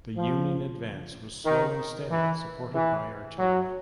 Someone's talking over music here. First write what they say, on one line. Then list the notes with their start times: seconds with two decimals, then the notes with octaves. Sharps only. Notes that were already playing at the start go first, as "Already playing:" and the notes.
The Union advance was slow and steady, supported by artillery.
0.16 F3
1.45 D#3
2.10 E3
2.74 E3
3.39 F#3